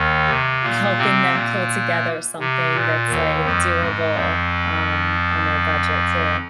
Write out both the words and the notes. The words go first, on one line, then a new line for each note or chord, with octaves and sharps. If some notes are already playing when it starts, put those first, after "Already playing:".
helping them pull together something that's, like, doable, um, on their budget, too.
Already playing: D#2 D#3
C3
A#2 A#3
C3 C4
A#2 A#3
C3
A#2
D#2 D#3
F2 F3
G#2 G#3
F2 F3